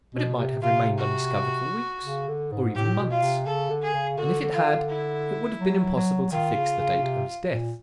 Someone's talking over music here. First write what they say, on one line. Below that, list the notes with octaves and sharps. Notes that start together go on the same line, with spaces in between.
But it might have remained undiscovered for weeks, or even months; and if it had, it would have been impossible to fix the date of his death.
B2
C3
C3 F4
F#4
C#3
D3
G#2
A2 G4
B2
F4
C3
C#3 A4
D3
G#4
C#3
D3 F#4
D3
F4
D3
E4
F#3
F#3
D#3 F4
C#3
C#3
C3
A#2